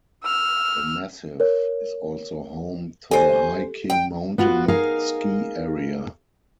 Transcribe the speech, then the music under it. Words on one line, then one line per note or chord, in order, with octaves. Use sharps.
The massif is also home to the High King Mountain Ski Area.
E6 F6
A#4 C#5
G4 A4 C5 G#5
G5
B3 F4 F#4
D#4 G#4 A#4 F5